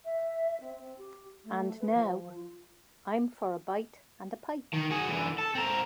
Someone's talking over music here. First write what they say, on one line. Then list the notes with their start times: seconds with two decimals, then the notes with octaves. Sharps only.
And now I'm for a bite and a pipe.
0.04 E5
0.60 C4
0.78 C4
0.98 G4
1.44 A3
1.80 B4
1.93 F3
2.34 F4
4.74 D#3
4.91 F#4 G#4
5.08 D3 E3
5.38 A4
5.55 C4 A#4